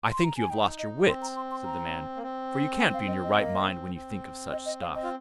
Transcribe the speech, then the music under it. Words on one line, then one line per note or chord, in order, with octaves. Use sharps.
'I think you've lost your wits', said the man, 'for you can't be in your right mind when you think of such stuff.'
C6
A#5
G#5
D#4 G5
D#5
C4 C6
A#5
C6
C6
A#5
A#3
C4
G#5
F5
D#5
D#5
A#3
C4
C4
D#5
D#5
F5
D#5
F4